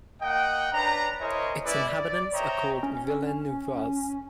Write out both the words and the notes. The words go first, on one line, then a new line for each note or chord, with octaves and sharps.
Its inhabitants are called "Villeneuvois".
A#3 D#5 F#5 G5
C#4 D4 B4 A#5
E4 G#4 A#4 C5 C#5 D#5
G#3 C#4 E4 B4 D5
D5
C5 C#5 D#5 E5 G5 A#5
C#4